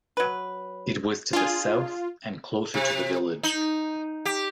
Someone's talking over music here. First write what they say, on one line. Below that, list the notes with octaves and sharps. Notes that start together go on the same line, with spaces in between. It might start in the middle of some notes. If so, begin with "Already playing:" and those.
It was to the south and closer to the village.
F#3 B4
D4 F4 G#4
C3
D#4
G4